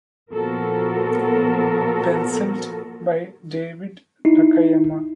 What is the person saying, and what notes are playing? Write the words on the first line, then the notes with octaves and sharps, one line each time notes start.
Penciled by David Nakayama.
A#2 F3 B3 F#4 A4 A#4
D#4 E4